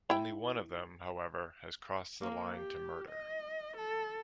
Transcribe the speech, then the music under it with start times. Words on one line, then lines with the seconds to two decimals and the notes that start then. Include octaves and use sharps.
Only one of them, however, has crossed the line to murder.
0.10 E4 G5
2.21 A#3
2.55 G4
3.09 D#5
3.77 A4